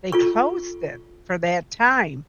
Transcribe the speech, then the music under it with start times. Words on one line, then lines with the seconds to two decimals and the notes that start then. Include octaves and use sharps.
they closed it for that time.
0.12 F4 A4 C#6